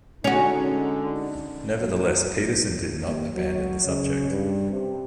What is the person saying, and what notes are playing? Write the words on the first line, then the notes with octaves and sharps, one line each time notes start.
Nevertheless, Pedersen did not abandon the subject.
D3 G#3 C#4 D#4 F#4
F#3
D#2
F#3
C#3
G2
C3